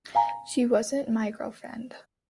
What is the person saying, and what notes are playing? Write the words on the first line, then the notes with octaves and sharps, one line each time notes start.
She wasn't my girlfriend.
F5 G#5 A#5